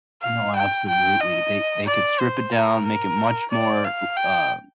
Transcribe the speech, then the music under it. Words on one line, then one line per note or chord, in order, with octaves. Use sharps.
No, absolutely. They they could strip it down, make it much more l uh,
F5
G5
G5
D#5
D5
C5
A#4
A#4
D5
F5
G5